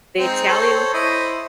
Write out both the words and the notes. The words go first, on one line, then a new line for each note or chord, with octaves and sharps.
The Italian
G#3 C4 D#4
A4 C5 C#5
E4 C5 D#5